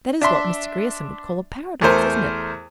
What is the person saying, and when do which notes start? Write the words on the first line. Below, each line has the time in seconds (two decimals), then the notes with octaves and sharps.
That is what Mr. Grierson would call a paradox, isn't it?
0.22 D4 E5 C6
1.81 E2 A3 A#4 C5